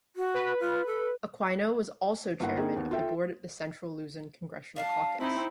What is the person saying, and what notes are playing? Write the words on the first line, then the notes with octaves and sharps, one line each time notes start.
Aquino was also Chairman of the Board of the Central Luzon Congressional Caucus.
F#4
B4
F4
A4
G1 A#3 E4 F#5
A#3 C4 D#4 G#4
D#2 B3
F4 A4 E5 G5
G3 D4 F5 A5
C4 D#4 E4